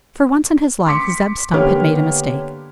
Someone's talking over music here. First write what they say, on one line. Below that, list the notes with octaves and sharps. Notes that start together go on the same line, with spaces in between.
For once in his life, Zeb Stump had made a mistake.
C6 D6 B6 C#7
D3 A#3 B3 G4 C#5 F6